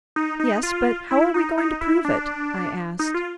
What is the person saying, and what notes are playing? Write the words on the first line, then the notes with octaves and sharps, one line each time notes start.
"Yes, but how are we going to prove it?" I asked.
D#4
D#4
F4
E4
D#4
D#4
E4
D4
D#4
F4